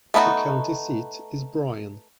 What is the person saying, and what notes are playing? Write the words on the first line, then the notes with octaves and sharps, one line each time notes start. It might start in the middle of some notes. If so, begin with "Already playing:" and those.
The county seat is Bryan.
A3 B3 D#4 F4 F#4